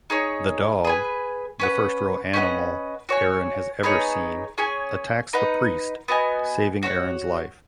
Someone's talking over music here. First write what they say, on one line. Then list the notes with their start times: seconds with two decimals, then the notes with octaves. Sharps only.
The dog-the first real animal Erin has ever seen-attacks the priest, saving Erin's life.
0.10 D#4 G#4 C#5
0.85 G#4 B4 G#5
1.60 C#4 B4 F#5
2.34 C#4 B4 D#5 F#5
3.09 F#4 C#5 G#5
3.83 B3 D#4 G#4 C#5
4.58 C#4 G#4 C#5 G#5
5.33 D#4 B4 F#5
6.08 B3 F#4 D#5 G#5
6.83 F#4 C#5 F#5